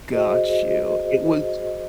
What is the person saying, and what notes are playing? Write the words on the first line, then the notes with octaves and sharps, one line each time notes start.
Got you, it was
F#4 G#4 C5 D#5